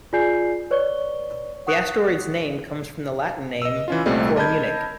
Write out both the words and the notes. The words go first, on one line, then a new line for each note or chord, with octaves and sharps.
The asteroid's name comes from the Latin name for Munich.
F4 G#4 D5 G#5 G6 C7
B4 C#5 D5 C#6 G7
F#5 C#6 D#6 F#6
D#5 E6
E3 C#4 F4
C2 A#2 G3 A3 C4 D#5
A#4 D#5 A5 B5 G6 G#6